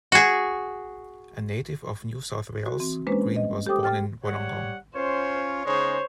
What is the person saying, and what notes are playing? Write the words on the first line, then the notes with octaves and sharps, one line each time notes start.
A native of New South Wales, Green was born in Wollongong.
F#4 G#4
F#4
E3 C4
G#3 A#3 C#4 D4 B4 C5
G3 D#5
G4 A4 C5 G5 D6 D#6
G5 F6 A6
G3 C#5 F#5
C#4 F4 C5 C#5
C#3 G#3 D#4 C5 C#5